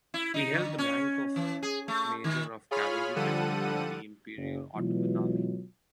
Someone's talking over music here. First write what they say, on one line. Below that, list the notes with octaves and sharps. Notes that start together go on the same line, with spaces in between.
He held the rank of major of cavalry regiment in the imperial Ottoman army.
E4
D#4
D3
C#4
E3
G#4
A3
D#3
F4 G#4 C#5 B5 F6
D3 F3 G3 A4 F#5 D#7
F#1
B2 E3 F#3 G#3 F4